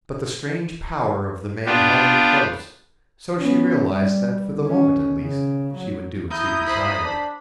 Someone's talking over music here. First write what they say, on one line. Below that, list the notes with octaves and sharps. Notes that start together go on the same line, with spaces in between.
But the strange power of the man held her close, so she realized that for the moment at least she would do as he desired.
B3 D4 F4 G4
B3 C#4
G3
D#3 C#4
C#3
F#3
E4 A#5 D#6 G6
C5 B5
D4